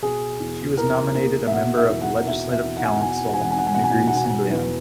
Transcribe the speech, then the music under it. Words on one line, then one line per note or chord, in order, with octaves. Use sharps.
She was nominated a member of the Legislative Council in Negri Sembilan.
B2 G#4
E2
E2 A#4
A#3
E5
B2 F#5
E5
E2
F#5
B2 E5
E5
E2
F#5
G#5
F#5
B2 G#5
F#5
G#5
F#5
G#5
E1 F#5
G#5
F#5
G#5
B2 F#5
G#5
F#5
G#5
F#5
B2 G#5
F#5
E2 B4